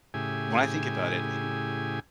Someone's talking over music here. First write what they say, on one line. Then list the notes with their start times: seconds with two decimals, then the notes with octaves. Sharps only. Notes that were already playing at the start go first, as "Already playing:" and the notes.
when I think about it, uh y you
0.14 A2 C#3 E4 G4 G#4 G#5